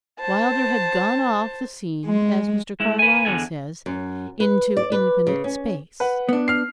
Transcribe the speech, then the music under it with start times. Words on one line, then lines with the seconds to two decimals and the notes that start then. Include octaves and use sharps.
Wylder had gone off the scene, as Mr. Carlyle says, into infinite space.
0.20 C5 A5
2.06 G#3
2.80 G#3 E4
2.99 B4 G#5
3.25 E2 G2 D3 A4 G#5
3.86 F#2
4.40 B4
4.77 D5
4.92 B4
5.27 C#3
5.44 C#4
6.00 B4 F#5
6.29 B3 D4
6.48 F6 C7